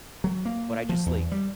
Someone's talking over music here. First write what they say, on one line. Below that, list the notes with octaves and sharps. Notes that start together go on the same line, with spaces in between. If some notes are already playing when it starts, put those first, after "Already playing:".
But I just, like
F#3
A#3
F3
E2
G3